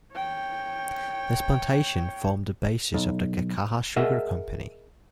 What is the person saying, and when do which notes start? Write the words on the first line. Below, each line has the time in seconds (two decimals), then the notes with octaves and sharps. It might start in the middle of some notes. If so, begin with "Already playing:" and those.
This plantation formed the basis of the Kekaha Sugar Company.
0.14 C#5 G5
2.94 B1
3.96 G#4 A#4 D#5 E5 F#5